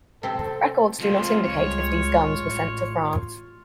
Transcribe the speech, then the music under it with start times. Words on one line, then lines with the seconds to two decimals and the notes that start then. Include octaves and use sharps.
Records do not indicate if these guns were sent to France.
0.23 C3 C4 A4
0.99 F2 C3 G#3 F4
1.45 C#2 G3 G#3 C#5
2.20 A1